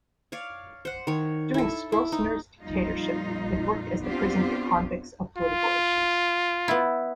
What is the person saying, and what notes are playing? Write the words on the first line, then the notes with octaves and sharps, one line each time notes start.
During Stroessner's dictatorship it worked as the prison for convicts of political issues.
C#5 D5 F5
C5 F#5
D#3 C#5
E4 A4
E4
D#4
F2 A#2 G3 D#4 F4
B3 C4 D4 F4 G4
F4
B3 E4